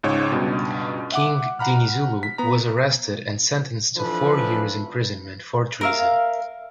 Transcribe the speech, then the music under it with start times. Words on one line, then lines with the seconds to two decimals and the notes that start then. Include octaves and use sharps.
King Dinizulu was arrested and sentenced to four years imprisonment for treason.
0.03 C#2 G#2 C#5
0.32 C#2 G2 B2
1.12 E5 F#5 D6
1.59 F#5 A#5 B5 F6
2.23 B6
2.38 B3 A#5
3.96 E3 F3 D4 A4 B4
5.81 A#4 E5 F5